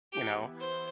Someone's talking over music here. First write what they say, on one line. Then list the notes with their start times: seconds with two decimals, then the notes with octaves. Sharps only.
You know?
0.13 E3 B3 E4 G4
0.61 C5